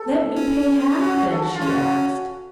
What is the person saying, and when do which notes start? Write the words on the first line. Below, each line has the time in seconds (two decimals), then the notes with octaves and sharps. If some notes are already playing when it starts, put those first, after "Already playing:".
'Let me pay half, then,' she asked.
Already playing: A4
0.36 C#4
0.99 F#4
1.31 A4
1.42 F#4
1.55 F4
1.62 C#4
1.67 F#4